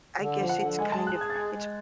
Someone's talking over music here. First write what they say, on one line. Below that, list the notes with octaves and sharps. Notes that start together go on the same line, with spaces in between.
I guess it's kind of, it's
D3
F3
F#5
D3
G#3 G#5
G#4 A5
F#6
G#4
G#6
A6
G#3 G#6
G#3